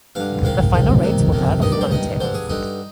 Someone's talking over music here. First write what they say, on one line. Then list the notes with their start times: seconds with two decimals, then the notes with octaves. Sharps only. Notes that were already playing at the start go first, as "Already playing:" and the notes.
The final rates were per the following table.
0.15 G2 D3 F5
0.44 G#2 D#3 F5
0.74 G#2 D#3
1.03 F2 C3 D#3
1.32 F2 C3 D#3
1.62 G2 D#3 D#5
1.72 D5
1.81 C5
1.91 G2 D#3 D#5
2.20 G2 D3 C5
2.34 G#4
2.50 G2 D3 D#4